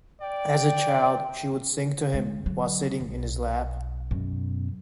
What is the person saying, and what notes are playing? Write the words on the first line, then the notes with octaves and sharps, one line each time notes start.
As a child, she would sing to him while sitting in his lap.
D5 G5
D2 G#3
D3 F#3
B1
F#2 B2